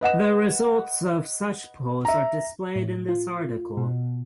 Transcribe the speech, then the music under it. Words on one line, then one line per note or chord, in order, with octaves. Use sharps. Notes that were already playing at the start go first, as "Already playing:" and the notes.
The results of such polls are displayed in this article.
B4 D#5 F#5 E7
E5 A#5
A2
F4
B2